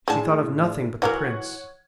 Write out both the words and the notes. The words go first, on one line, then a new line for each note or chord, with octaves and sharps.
She thought of nothing but the prince.
A2 G#3 D4 A5
E3 F#3 A#4 C#5 F#5 G#6